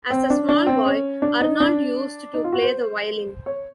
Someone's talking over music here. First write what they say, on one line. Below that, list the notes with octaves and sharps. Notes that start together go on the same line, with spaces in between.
As a small boy, Arnold used to play the violin.
C4
D4
D4
C4
C#4
D4
D#4
D4
D#4
F4
F#4
C5
C#5